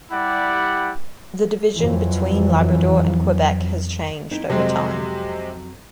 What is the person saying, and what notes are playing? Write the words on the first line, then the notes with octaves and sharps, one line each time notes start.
The division between Labrador and Quebec has changed over time.
G3 E4 G4 D5 F#5
F2 E3 F#3
C4 D#4 E4
F2 C3 F#3 G#3 C4 D#5